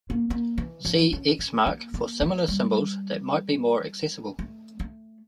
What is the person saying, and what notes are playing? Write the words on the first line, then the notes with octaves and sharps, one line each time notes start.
See X mark for similar symbols that might be more accessible.
A#3
A#3
E3
F3
C#4
C#4
A#3
A#3
A3
G3
A3
A3